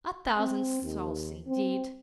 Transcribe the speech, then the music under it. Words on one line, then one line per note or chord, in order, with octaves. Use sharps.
A thousand souls, indeed!
C4
D#2
C4